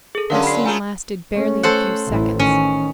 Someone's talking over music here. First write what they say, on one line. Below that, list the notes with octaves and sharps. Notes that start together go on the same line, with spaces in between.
This scene lasted barely a few seconds.
G#4 A4
D3 F#3 C#4 A#4 F5
B5 C7
A3 F4 G#4 G#5 A#5
A3 C#4
A4 C5 F#5
A1 E4
D#3 C#4